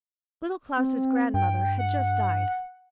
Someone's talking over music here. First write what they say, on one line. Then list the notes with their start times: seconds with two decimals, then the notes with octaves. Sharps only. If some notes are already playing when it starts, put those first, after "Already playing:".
Little Klaus' grandmother had just died.
0.77 C4
1.34 G2 G5
1.79 F#5